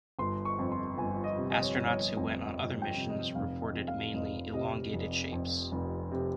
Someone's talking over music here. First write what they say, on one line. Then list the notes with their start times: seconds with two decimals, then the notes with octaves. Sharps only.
Astronauts who went on other missions reported mainly "elongated shapes".
0.19 G1 C6
0.45 C#6
0.59 F2
0.72 C6
0.98 G1 G#5
1.24 D#5
1.37 C3
1.51 D#5
1.63 C#5
1.77 G1
1.87 C#5
2.17 F2
2.56 G1 D#5
2.82 G5
2.96 C3
3.09 D#5
3.35 F1 F5
3.61 D#5
3.74 F2
3.88 F5
4.14 F1 D#5
4.53 C3 D#5
4.94 F1
5.32 F2
5.72 F1
6.11 C3